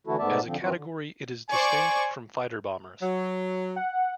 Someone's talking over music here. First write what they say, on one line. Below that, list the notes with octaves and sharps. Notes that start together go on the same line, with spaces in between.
As a category, it is distinct from fighter-bombers.
D3 E3 A3 E4 F#4 A4
G#2 A3 B3 D5 E5 A5
D3 F3 C4
G2 D#3 E3 C4 F4 F#4
D3
C5 D5 G#5 C#6
F#3
F#5